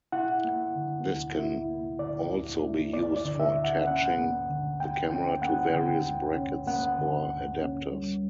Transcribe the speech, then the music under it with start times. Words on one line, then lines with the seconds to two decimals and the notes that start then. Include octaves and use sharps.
This can also be used for attaching the camera to various brackets or adapters.
0.12 E4 F#5
0.44 A#3
0.75 D3
1.07 D2
1.38 E4
1.69 A#3
1.99 D3 D5
2.31 D2
2.63 E4
2.93 A#3 D5
3.16 D5
3.25 D3
3.40 E5
3.55 D2
3.64 F#5
3.87 C#4 F#5
4.18 A#3
4.49 D3
4.80 D2 G5
5.11 C#4 G5
5.42 A#3 F#5
5.73 D3 G5
6.05 D2
6.36 C#4
6.67 A#3 F#5
6.98 D3
7.29 D2
7.61 C#4
7.91 G3